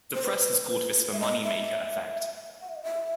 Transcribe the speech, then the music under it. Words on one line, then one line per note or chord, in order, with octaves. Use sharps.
The press has called this the Moneymaker effect.
C5
B4
E5
D#5
E5
F#5
E5
D#5
E5